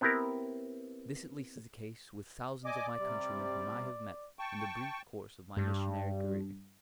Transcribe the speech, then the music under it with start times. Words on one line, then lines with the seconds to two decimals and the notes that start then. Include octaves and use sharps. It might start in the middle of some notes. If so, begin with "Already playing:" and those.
This, at least, is the case with thousands of my countrymen whom I have met in the brief course of my missionary career.
0.01 B3 C4 E4 G4 A#4
2.65 D5 D#5 G#5 D6
2.99 C3 G3
4.39 G5 A5 C#6
5.57 G2